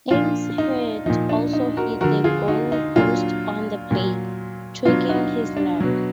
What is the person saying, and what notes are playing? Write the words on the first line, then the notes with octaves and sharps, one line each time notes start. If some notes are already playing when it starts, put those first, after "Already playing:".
Ainge's head also hit the goalpost on the play, tweaking his neck.
A#2 F3 D4 F4
D#4
A#2 F3 D#4
D4
D#4
F#4 A#4
D3 F3 F#4 A#4
F4 G#4
D#4 F#4
D#4
A#2 F#3 D4 F4
A#2 F#3
B2 F#3 D4 F4
D#4 F#4
D4
B2 F#3